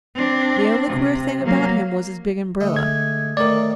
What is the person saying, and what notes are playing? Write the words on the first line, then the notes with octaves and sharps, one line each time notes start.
The only queer thing about him was his big umbrella.
C4 D4
C3
F#3 A#3
D3 G#3 A3
G#6
A2 D#3 A#4 D5